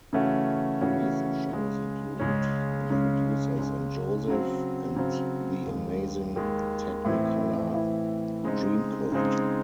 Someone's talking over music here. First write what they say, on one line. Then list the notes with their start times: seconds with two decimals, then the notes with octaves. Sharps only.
Recent shows include The Producers and Joseph and the Amazing Technicolor Dreamcoat.
0.13 C#3 E3 A3 C#4 F#4
0.81 C#3 E3 A3 C#4 F#4
1.51 C#2 C#3 G#3 C#4
2.20 C#2 C#3 G#3 C#4
2.89 C#2 C#3 G#3 C#4
3.59 C#2 C#3 G#3 C#4
4.28 C#3 F#3 C4
4.96 C#3 F#3 C4
5.66 D#2 D#3 G#3
6.36 D#2 D#3 G#3
7.05 A2 E3 C4 E4
7.74 A2 E3 C4 E4
8.44 C#3 G#3 C4 D#4
9.12 C#3 G#3 C4 D#4